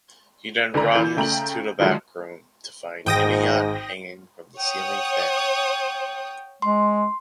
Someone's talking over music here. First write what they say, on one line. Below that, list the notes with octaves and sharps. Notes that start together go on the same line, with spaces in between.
He then runs to the backroom to find Inayat hanging from the ceiling fan.
C#2 D3 D4 A#5
E3 G6
C#3 A3 G5 A#5 G6 F#7
D3 D#3 F3 F#3 G#3
G#1 G#2 G5 D#6 A#6
C#5 F#5 G5 D#6
G#3 C6